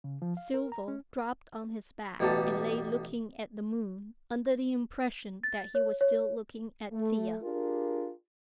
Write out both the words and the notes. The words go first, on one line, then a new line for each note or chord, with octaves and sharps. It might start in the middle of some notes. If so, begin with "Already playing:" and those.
Silvo dropped on his back and lay looking at the moon, under the impression that he was still looking at Thea.
C#3
F3
F5
A#4
A#5
C#4
A1 B2 G3 A4
A6
C#5
C#5
A3
D4 F4 G4 G#4 A#4